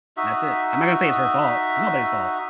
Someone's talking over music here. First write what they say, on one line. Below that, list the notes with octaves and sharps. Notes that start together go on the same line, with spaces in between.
and that's it. I'm not gonna say it's her fault, it's nobody's fault,
D#4 F#4 E5